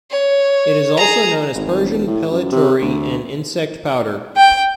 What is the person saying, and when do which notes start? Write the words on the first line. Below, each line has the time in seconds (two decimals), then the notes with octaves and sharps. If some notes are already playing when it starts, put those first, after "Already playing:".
It is also known as Persian pellitory and insect powder.
0.11 C#5
0.97 G#4 A#5
1.55 G#1
1.84 E1
2.07 A2
2.31 F#2
2.52 C3
2.82 D2
4.37 G5